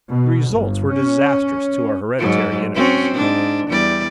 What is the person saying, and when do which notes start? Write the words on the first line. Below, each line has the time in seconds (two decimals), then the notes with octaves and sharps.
The results were disastrous to our hereditary enemies.
0.12 B2
0.51 G1
0.93 C#4
2.19 G#2 F#3
2.74 C4 C#4 F#4
3.15 G#2 D4
3.68 E2 G3 D5